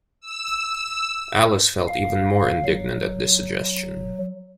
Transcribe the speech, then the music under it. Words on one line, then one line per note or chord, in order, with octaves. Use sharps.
Alice felt even more indignant at this suggestion.
E6
F5
F#3